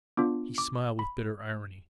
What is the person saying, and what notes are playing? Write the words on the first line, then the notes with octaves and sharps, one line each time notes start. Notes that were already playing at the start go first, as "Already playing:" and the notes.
He smiled with bitter irony.
B3 D4 F4 D6
D6
B5